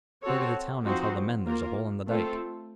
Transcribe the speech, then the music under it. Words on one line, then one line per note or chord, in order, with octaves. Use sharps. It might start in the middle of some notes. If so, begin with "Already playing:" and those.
Go to the town and tell the men there's a hole in the dike.
C4 F#4 A4 C#5
F3 C4 D#4 F#4 C5
A#3 F4 A#4
A3 C4 F4 A4